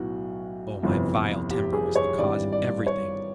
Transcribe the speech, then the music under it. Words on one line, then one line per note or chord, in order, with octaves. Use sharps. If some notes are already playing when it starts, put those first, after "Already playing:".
Oh, my vile temper was the cause of everything!
Already playing: B1 A2 F#3 B3 F#4
G1 F2 C3 E3
G4
G#4
C#5
G#1 G2 E3 G3 D5
D5
C#5